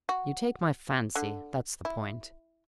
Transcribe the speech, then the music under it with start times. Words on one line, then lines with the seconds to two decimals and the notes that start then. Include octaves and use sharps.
You take my fancy; that's the point!
0.09 F#4
1.15 D3
1.85 E4